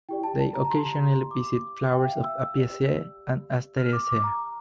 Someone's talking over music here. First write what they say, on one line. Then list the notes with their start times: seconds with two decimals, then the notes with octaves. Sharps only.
They occasionally visit flowers of Apiaceae and Asteraceae.
0.09 E4 G4 D5 G5
0.23 A5
0.39 A5
0.54 A#5
0.65 A#5
0.71 C6
1.31 D6
1.93 G5
2.04 E5
2.09 F5
2.23 E6
2.40 E6
2.54 G4 D5
3.77 F6
3.93 D6
4.08 D6
4.24 A#5